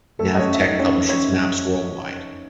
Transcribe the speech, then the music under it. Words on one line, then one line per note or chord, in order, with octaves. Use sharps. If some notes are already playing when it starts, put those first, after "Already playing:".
Navteq publishes maps worldwide.
A3 A4
D#5
C#4 C#5
E5
D#4 D#5
C#4 C#5
C#4 C#5